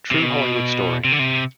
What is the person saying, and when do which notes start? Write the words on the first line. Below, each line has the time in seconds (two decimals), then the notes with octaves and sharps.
True Hollywood Story.
0.11 C3
0.23 B2
1.05 C3
1.12 D3
1.19 C3